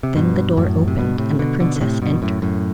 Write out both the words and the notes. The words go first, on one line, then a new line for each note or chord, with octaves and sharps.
Then the door opened, and the princess entered.
C3
G2 B2
F#2 A2
C3
G2 B2
A2 C3
B2 D3
B2 D3
D3
A2 C3
G2 B2
F#2 A2
F#2 A2